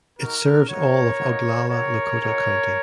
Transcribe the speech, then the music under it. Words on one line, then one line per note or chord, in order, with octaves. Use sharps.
It serves all of Oglala Lakota County.
A#3 D#4 F#4 A#4
A#3 D#4 F#4 A#4 C#5
A#3 D#4 F#4
C4 F#4 A#4 C#5
G#3 D#4 F#4